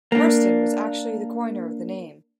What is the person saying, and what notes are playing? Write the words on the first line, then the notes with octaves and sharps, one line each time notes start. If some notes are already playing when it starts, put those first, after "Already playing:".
Hurston was actually the coiner of the name.
A#3 D4